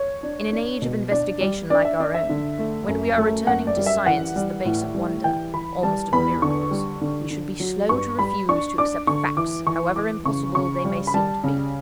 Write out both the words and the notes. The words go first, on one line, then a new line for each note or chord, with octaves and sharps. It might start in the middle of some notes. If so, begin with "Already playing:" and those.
In an age of investigation like our own, when we are returning to science as the base of wonders--almost of miracles--we should be slow to refuse to accept facts, however impossible they may seem to be.
Already playing: C#5
D4
D4
B2
D4 D5
G3
D4 D5
E5
D4 D5
E5
D3
A3
F#2
A3
F#2 F#5
D5
G3
E5
E3 F#5
G3
A2
G3
E3 G5
E3 B5
G3 A5
E2 B5
D3 C#6
G3
D3
D3
F#3
G2 C#6
G3 B5
D4 C#6
D4 D6
D3 C#6
E3 D6
E3 C#6
E3 D6
C#3 C#6
C#3 C#6
G3
B5
G3 A5
C#3